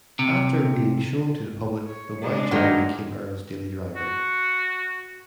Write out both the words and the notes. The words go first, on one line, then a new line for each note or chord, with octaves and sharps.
After being shown to the public, the Y-job became Earl's daily driver.
C3
C#5
G#3 D4
G2 A#2 D#3 F#3 D#4
F#4